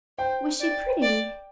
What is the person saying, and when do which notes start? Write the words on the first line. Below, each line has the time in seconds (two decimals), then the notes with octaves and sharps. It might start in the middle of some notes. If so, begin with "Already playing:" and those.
"Was she pretty?"
0.18 C5 G5
0.60 D5
1.02 D5